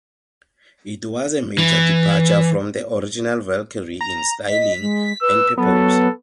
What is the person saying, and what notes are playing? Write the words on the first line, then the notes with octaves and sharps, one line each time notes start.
It was a major departure from the original Valkyrie in styling and purpose.
E3
A#5
D#5 B6
G#3
B4 E6
F#3 B3 A4